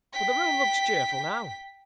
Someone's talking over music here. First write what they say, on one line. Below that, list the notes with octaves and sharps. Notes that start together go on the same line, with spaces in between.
But the room looks cheerful now.
G5 B6